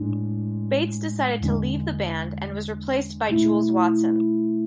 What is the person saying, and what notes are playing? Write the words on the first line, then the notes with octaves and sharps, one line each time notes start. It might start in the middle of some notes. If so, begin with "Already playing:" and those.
Bates decided to leave the band and was replaced by Jules Watson.
Already playing: A2 G#3 D4
E2 D3 G#3 D4
B2 A3 E4